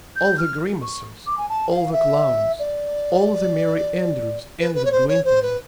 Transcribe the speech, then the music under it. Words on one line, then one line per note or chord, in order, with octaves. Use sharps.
All the grimacers, all the clowns, all the merry-andrews envied Gwynplaine.
G6
F6
C#6
D6
G#5
A5
F5
E5
D5
B4
B4
C#5
C5
C#5
C5
B4